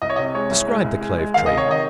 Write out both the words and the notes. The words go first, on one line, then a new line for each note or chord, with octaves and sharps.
Describe the Clove Tree.
C2 D#5
C#5
C3 D#5
G#3 C#5
C2
G#3
C2
G#3
G#3
D#3 F5
C3 D#5
C#5
D#3 D#5